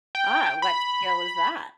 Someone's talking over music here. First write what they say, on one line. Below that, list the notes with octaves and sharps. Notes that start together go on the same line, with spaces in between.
Ah, what skill is that?
G5
B5